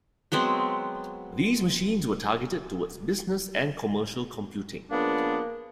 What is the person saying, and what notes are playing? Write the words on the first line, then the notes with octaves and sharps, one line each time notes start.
These machines were targeted towards business and commercial computing.
F#3 G#3 B3 C4
C#3 F3 A#3 B3 D4